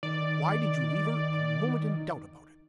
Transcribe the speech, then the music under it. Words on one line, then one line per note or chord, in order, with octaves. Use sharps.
"Why did you leave her a moment in doubt about it?"
D#3 D5